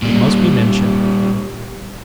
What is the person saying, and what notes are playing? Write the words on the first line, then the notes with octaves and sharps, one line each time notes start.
'It must be mentioned.
A#2 G3